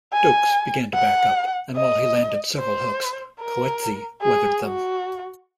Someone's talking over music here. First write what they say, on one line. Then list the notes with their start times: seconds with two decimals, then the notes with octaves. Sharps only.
Dokes began to back up, and while he landed several hooks, Coetzee weathered them.
0.13 G#5
0.94 F#5
1.76 D#5
2.59 C5
3.40 A#4
4.22 G#4
4.64 F#4